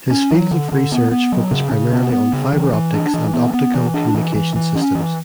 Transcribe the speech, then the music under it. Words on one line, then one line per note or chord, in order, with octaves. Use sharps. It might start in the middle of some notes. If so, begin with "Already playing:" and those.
His fields of research focus primarily on fiber optics and optical communication systems.
C#4
F#3
D3
D3
B3
B3
F#3
C#3
C#3
B3
B3
C#3
E3
E3
D4
E3
B3
B3
E3
D4
E3
E3
E3
C#4
E3